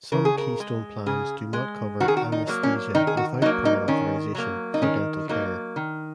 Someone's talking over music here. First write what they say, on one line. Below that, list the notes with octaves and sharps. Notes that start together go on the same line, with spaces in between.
Some Keystone plans do not cover "anesthesia without prior authorization" for dental care.
C#3 A#4
G#4
A#4
G#3
C#3 G#4
G#3
D#3 F#4
G#4
F#4
D#4
F#3 A#3
C#4
D#3 D#4
G#4
F#4
F#3 A#3 D#4
D#4
D#3 C#4
F#3 A#3
D#4
D#3 C#4
F#3 A#3 D#4
D#3